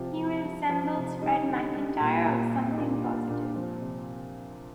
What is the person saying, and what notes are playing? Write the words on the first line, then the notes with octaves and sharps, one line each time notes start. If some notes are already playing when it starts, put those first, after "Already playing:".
He resembles Fred MacIntire of "Something Positive".
Already playing: C3 F3 F4 G4
F3
F3
F3
C3
G3 D#4
D3
G3
A#2
A#2
G3
D#4
A#2 D4
A#2 F4
A#2 D4
F3 C4
C3